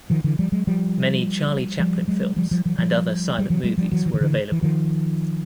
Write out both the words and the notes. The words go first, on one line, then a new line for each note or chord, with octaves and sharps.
Many Charlie Chaplin films, and other silent movies were available.
D#3 F3
D3 E3
F3 G3
F#3 G#3
F3 G3
F3 G3
F#3 G#3
F3 G3
F3 G3
E3 F#3
F3 G3
G3
E3 F#3
F#3 G#3
F3 G3
E3 F#3
E3
D#3
D3 E3
E3
D#3 F3